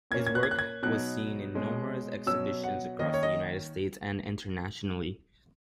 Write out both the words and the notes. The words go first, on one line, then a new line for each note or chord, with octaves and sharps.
His work was seen in numerous exhibitions across the United States and internationally.
A#2 A#3 C#4 G#6
G#6
F#6
G#6
F#6
G#6
B2 F#3 B3 D#4 F#6
B2 G#3 C#4
B2 F#3 C#4 E6
F#5
D#3 A#3 C#4 D#5
C#5
D#5